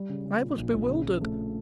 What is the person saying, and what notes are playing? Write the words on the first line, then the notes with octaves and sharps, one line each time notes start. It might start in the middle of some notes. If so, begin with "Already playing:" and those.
I was bewildered.
Already playing: G3
C#3
C#3
A#2
A#1
A#1
C#3
C#3
A3